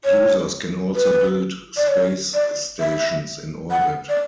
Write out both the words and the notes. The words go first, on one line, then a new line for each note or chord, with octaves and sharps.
Users can also build space stations in orbit.
C#5
B4
D5
C#5
D5
E5
F#5
D5